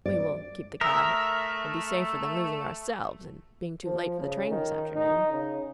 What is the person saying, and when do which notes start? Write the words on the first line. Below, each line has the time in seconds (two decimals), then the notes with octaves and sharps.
We will keep the cab; it will be safer than losing ourselves, and being too late for the train this afternoon.'
0.06 D5
0.81 A3 A#4 E5 D#6 E6
3.84 F3
4.20 C#3
4.50 D#3
4.95 D#4
5.32 C#3